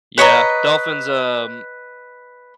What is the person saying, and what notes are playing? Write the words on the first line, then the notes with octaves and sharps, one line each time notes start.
Yeah, dolphins, um
B4 C#5 D#5 A#5